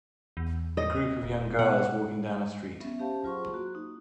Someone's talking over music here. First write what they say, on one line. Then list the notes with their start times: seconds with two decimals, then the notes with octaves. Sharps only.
A group of young girls walking down a street.
0.37 E2
0.77 D#5
1.23 E1
1.59 B2 F#5
2.80 B3 C#4 E5
2.99 C#4 G4 C5 F5 A5
3.24 F#3 F4 G#4 C5 C6 C#6
3.54 A#3 F#4
3.75 D#4